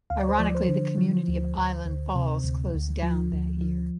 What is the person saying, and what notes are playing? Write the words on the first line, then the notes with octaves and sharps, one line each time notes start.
Ironically, the community of Island Falls closed down that year.
D2 F5
D5
C5
F3 D5
C5
D3
F3
D2
D2
D2
C3
D2
D2
F3
D2
F3